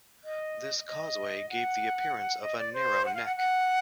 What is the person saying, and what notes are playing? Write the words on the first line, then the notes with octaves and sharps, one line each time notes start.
This causeway gave the appearance of a "narrow neck".
D#5
D#5
F#5
D#5
D5
C5
F#5
F5
F#5
F#5